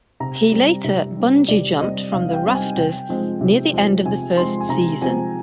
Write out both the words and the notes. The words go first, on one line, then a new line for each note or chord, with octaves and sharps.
He later bungee-jumped from the rafters near the end of the first season.
C3 A#5
G3 C4
C3
G3 C4
C3 D5
G3 C4 D#5
C3 F5
F5
G5
G3 C4
G#5
C3 G5
F3 G#3 C4
C3
F3 G#3 C4
C3 G#5
F3 G#3 C4 C6
G#5
C3 A#5
F3 G#3 C4 G#5